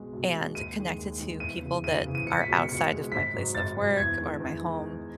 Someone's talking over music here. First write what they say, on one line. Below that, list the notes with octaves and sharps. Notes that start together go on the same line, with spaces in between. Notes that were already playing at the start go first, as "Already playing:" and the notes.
and connected to people that are outside of my place of work or my home,
Already playing: B1 B2 G#3
B1
B2 G#3
D#2 D#7
D#3 G#3
D#2
D#3 G#3
E2 D#7
C#3 E3
E2 D#7
C#3 E3
D#7
C#2 C#7
B6
B2 G#3
C#7
C#2 C#7
B2 G#3
G#1 B6
G#2 F#3
G#1 A6
G#2 F#3
E2 G#6
D#3 G#3
E2
D#3 G#3